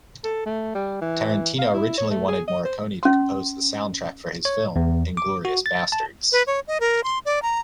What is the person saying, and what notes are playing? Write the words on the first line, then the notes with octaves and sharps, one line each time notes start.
Tarantino originally wanted Morricone to compose the soundtrack for his film, "Inglourious Basterds".
A4
A3
G3
E3
F5
E4
C#5
A3
G#4
D#5
C5
C#4 C6
C#5
E2
D6
F#4
A6
A5
B4
C#5
D#5
A#4
C6
D5
A#5